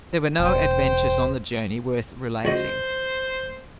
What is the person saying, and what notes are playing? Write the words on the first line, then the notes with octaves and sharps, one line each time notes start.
There were no adventures on the journey worth relating.
E1 C5 G5
C#2 F#4 C5 D#5